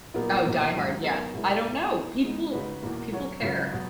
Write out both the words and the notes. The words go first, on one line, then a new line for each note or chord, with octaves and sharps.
Oh, Die Hard, yeah. I don't know. People people care,
A#2 F#3 B3 D#4 A#4
E2 B2 A#3 D#4
G#2 D#3 F#3
F#3 B3 D#4 A#4 C#5
B2 G#3 C#4 E4 A#4
G#2 E3 A#3 E4
E3 B3 D#4
E3 G#3 B3 D#4
C#3 G#3 D#4 F#4 B4
E2 B2 A#3
F#3 C#4 F#4 C#5
C#2 C#3 F#3 C#4
B2 F#3 B3